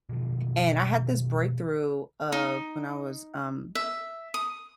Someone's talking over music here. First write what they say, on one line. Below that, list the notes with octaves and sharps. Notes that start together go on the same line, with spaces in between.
And I had this breakthrough of when I was, um
B2 D#3 F3
D#4
E5
D#6